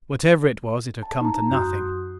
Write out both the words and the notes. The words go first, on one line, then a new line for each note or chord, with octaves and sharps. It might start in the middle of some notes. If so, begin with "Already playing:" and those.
Whatever it was, it had come to nothing.
A5
D#4 A#5
F#2 F#4 C6 D#6 F#6 G6